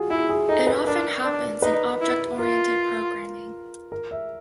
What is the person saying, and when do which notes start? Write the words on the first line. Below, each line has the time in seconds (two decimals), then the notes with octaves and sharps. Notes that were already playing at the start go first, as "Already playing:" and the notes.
It often happens in object-oriented programming.
Already playing: F4 F#4 G#4
0.10 E4 G#4
0.29 G#4
0.48 D#4 A4
0.67 B4
0.87 D4 A#4
1.25 D4
1.62 D#4 B4
2.01 E4
2.39 F4 A#4
3.92 A#4
4.11 E5